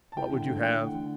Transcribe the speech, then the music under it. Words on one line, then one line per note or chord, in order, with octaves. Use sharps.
What would you have?
A5
E4 G5
D3
A3
D3 G5
E4
F#5
D3